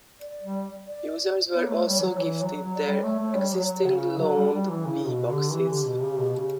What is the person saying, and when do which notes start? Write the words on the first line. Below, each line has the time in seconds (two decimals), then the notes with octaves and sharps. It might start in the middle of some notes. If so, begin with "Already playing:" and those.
Users were also gifted their existing loaned Be-Boxes.
0.21 D5
0.42 G3
0.87 D5
1.54 B3 C#5
1.70 A3
1.86 G3
2.00 E3
2.03 F#3
2.19 E3
2.42 F#3
2.64 F#3
2.75 D5
2.86 G3 C#5
3.03 A3
3.19 A3
3.36 G3
3.53 F#3
3.86 C#3
4.19 F#3 F#4
4.36 G3
4.53 G3
4.69 E3
4.86 C#3 E4
5.04 G4
5.08 B2 F#4
5.29 D3 G4
5.52 E3 G4
5.69 D3
5.86 B2
6.02 C#3
6.19 B2
6.36 C#3